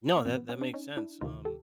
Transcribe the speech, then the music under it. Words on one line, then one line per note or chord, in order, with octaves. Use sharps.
No, that that makes sense, um,
B3
A#1 G#2 E3 C4
B3
B3 C#4
C4 D4
C#4 D#4
D4 E4
D2 C3 D#3 D#4 F4
G4 A4